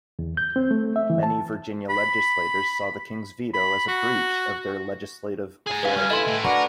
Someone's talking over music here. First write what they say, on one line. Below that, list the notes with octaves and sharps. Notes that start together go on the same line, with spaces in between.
Many Virginia legislators saw the king's veto as a breach of their legislative authority.
E2
G6
C4
A3
E5
E3
A5
B5
B5
F#4
G#4 G#5 A#5
C#2 F#2 B4 F5
G2 F6
E4 A4 D#5 C6
A2
D4 F#4 A#4 B4 F#5